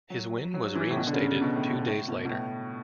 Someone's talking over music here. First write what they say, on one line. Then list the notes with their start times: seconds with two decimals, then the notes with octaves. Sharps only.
His win was reinstated two days later.
0.10 F#3
0.54 F#3
0.75 E3
0.90 A2
0.97 B2
1.07 D3
1.13 C#3
1.27 C#3
1.41 B2
1.56 A2
1.72 B2
1.86 A2
2.08 B2
2.25 B2
2.29 A2